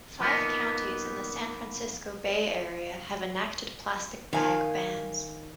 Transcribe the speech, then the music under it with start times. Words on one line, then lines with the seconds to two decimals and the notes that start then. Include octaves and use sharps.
Five counties in the San Francisco Bay Area have enacted plastic bag bans.
0.20 F3 A#3 B3 D#4
4.33 D#3 F5 G#5